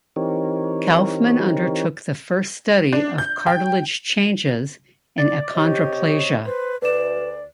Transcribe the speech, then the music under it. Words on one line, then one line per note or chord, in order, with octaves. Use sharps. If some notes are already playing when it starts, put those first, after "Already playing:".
Kaufmann undertook the first study of cartilage changes in achondroplasia.
E3 C4 D#4 G4 A#4 C#5
D4
G6
G5
D5 A6
C3 G4 C#5 D#5
B4 C5
D2 B4 D5 E7